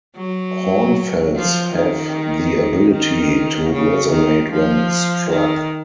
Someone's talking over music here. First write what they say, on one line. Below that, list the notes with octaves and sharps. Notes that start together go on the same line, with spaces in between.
Hornfels have the ability to resonate when struck.
F#3
F3
D#3
D#3
C#3
D#3
F3
D#3